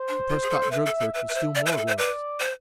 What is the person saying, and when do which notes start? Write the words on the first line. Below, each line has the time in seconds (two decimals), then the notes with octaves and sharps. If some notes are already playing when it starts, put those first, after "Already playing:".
The Prescott drug clerk was still more gorgeous.
Already playing: C5
0.08 D4
0.30 F4
0.43 G#4
0.50 A4
0.62 A4
0.71 B4 E5
0.86 A4
1.00 A4
1.14 B4 E5
1.29 B4
1.35 C5
1.55 D5 E5
1.66 C5
1.72 B4
1.77 A4
1.87 C5
1.98 B4 D5
2.40 C5